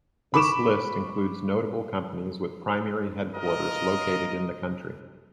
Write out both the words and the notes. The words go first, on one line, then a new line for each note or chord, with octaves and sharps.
This list includes notable companies with primary headquarters located in the country.
B5 C#6 D6 E7
F4 A#4 D#5